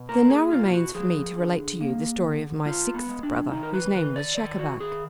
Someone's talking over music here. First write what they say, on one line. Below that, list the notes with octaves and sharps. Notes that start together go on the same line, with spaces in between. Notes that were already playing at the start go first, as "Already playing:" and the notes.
There now remains for me to relate to you the story of my sixth brother, whose name was Schacabac.
Already playing: B2
A#3 A#4
G#4
B2 F4
F#4
F3 G#4
D3
A#3
D3
G#3 F4
B3
G#3
D4
D#3 D#4
A#4
B4
D#3 B4
D5
D#3 D5
F#4
D#3 G#4